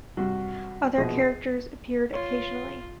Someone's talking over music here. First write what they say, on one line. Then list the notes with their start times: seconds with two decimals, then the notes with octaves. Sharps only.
Other characters appeared occasionally.
0.17 G2 C3 F#4
0.98 A#1 B2 G#4
1.19 C7
2.13 F4 C#5